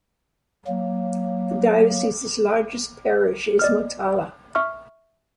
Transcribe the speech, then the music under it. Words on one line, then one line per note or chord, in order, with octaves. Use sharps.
The dioecese's largest parish is Motala.
F#3 A#3
D5 D#5 F6
E5 C#6 F6